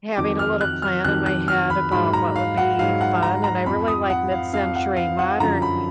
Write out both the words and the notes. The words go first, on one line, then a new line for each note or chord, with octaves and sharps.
having a little plan in my head about what would be fun. And I really like mid-century modern
F2 D#3 F#3 D6
F6
F#6
F6
F2 D#3 F#3 F#6
F#6
F6
B5
G#2 F#3 B5
A#5
F5
F#5
G#2 F#3 F5
F#5
A#5
A#5
F2 F3 B5
D#6
F#5
F5
F2 F3 F5
F#5
F5
F#5
F#2 D3 F3 A#5
B5